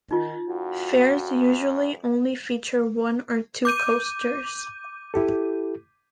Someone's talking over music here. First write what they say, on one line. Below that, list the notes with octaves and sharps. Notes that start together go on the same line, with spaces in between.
Fairs usually only feature one or two coasters.
D#3 D#4 F4
F2 F#4
D6 G6 D#7
E4 G4 A4